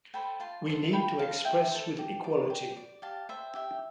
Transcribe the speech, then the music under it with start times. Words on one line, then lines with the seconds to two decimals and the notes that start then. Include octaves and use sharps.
We need to express with equality.
0.14 A4 C5 G5 B5
0.40 F4 A5 C6
0.66 A4 C5
0.88 A5
0.93 F4 G5 B5
1.18 A4 C5 F5 A5
1.45 F4 E5 G5
1.71 A4 C5
1.98 G4
2.24 D5
2.50 G4
2.77 D5
3.02 G4 F5 A5
3.29 C5 E5 G5
3.55 G4 E5 G5